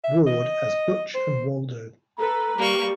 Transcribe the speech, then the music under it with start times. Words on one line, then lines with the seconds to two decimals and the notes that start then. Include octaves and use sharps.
Ward as Butch and Waldo.
0.04 E5
0.27 D#5
1.14 C5
2.18 A4 B4 A#5
2.58 G3 A#3 C#6